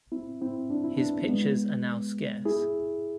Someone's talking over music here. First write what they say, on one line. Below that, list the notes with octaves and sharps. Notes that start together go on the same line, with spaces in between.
His pictures are now scarce.
C4 E4
C4 E4
D4
E4
B3 D4
G#3 B3
E4 G#4